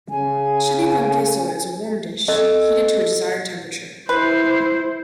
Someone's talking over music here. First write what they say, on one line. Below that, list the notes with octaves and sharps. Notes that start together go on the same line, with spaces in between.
Chile con queso is a warm dish, heated to a desired temperature.
C#3 G#5
A4 D#5
E4 B4 C5